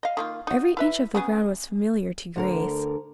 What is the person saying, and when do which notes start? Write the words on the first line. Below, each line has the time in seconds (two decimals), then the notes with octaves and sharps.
Every inch of the ground was familiar to Grace.
0.03 D#5 F5
0.17 D#3 A#3 F4
0.47 D#4 F#4
0.77 E4 B4 E5
1.15 C#3 B3 G#4
2.36 D2 D3 A#4